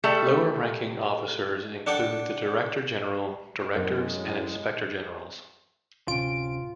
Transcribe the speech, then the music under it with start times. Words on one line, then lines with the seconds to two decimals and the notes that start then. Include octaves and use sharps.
Lower ranking officers include the director general, directors and inspector generals.
0.04 G3 A3 A4 E5
1.86 D4 A4 F#5 G5 A5
3.75 F#2 A2 G#3 C#4
6.08 D1 C3 C#4 F4 D7